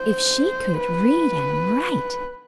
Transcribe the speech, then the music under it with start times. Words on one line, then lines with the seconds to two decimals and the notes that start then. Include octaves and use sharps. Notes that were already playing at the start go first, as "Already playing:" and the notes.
If she could read and write!
Already playing: C5
0.79 B4